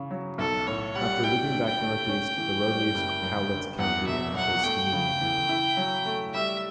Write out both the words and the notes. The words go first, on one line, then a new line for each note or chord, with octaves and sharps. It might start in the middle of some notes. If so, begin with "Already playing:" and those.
After looping back northeast, the road leaves Cowlitz County and enters Skamania County.
Already playing: C#3 E3 C#4
F#3
B1 A4
A2 C#5
G3 F#5
E4 G5
D3
G5
A3
C#4
E3
G3
F#1
F#2
D3
E2 F#5
B2 E5
F#3 F#5
A3 G5
C#3
E3
E4
F#3
A3
G3 E5